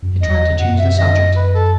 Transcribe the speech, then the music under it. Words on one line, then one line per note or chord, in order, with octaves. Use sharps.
He tried to change the subject.
F#2
E2 D#5
F#2 F#5
E5
D#5
B4
A4